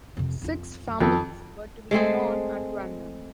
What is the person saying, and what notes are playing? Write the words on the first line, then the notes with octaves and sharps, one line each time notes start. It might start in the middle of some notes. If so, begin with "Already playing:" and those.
Six families were to be drawn, at random.
F2 C3
F2 F4
F#2
F2 D#3 A4
G#3 A3 C4 G#4